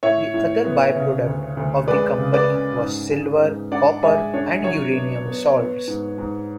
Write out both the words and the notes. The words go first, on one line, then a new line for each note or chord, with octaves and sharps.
The other byproduct of the company was silver, copper, and uranium salts.
A2 C#5 E5
A2
B3
C#3
D2
D2
G#3 B4 D5
C#3
B4 D5
C#4
G#2
G#3
G#2
D4 D5 F#5
G#3 E5 G#5
D4 C#5
F#3 C#5
B3
B3
B3
G#2
G#2